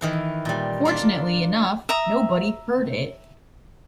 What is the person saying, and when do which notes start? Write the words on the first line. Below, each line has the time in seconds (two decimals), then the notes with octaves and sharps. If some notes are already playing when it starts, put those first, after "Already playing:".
Fortunately enough, nobody heard it.
0.01 D#3 E3 B4
0.45 A#2 G3
0.85 A#3 D4 F4 A4
1.89 E5 A#5 D#6